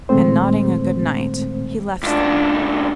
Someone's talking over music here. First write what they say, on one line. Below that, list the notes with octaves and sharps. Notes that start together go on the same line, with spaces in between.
And nodding a good-night he left them.
A#2 D#3 G#3 A3 C4 C5
C#2 D4